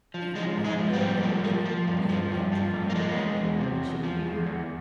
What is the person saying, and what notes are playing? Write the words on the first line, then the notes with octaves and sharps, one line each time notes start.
If the world owed him a living, he had yet to find the method by which it could be earned.
F3
F3 G#3
G#2
G#3
F3
G3
G#2
F3
F3
F3
G2
F3
G2
F3
G2
A#3
F3 G#3
E2
E2
C3
E2
F3
E2
E2